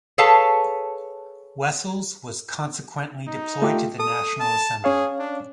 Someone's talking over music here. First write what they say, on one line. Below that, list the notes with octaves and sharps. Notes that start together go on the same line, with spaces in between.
Wessels was consequently deployed to the National Assembly.
G#4 A4 B4 C#5 F5 A5
D#4
A3 F4 G4
A4 D#6
A5
C#4 G#4 C#5 F5
D4